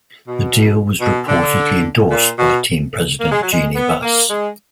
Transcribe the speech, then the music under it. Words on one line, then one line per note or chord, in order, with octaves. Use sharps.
The deal was reportedly endorsed by team president Jeanie Buss.
B2
B2
D3
A#2
B2
A#3
G#3
F#3
G#3
B3
A#3
G#3